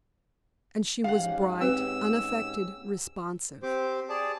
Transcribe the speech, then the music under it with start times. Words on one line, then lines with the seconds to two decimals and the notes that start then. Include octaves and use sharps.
And she was bright, unaffected, responsive.
1.04 G#2 C#4 G4 F5 F#5
1.61 C4 B4 E6
3.63 C4 G4 C5 D6
4.09 G#4 D5 A5